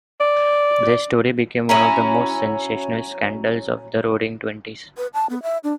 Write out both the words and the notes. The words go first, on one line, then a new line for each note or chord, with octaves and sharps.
Their story became one of the most sensational "scandals" of the Roaring Twenties.
D5
F#3 C#4 E4 A#5
B4
A5
B3
E5
D4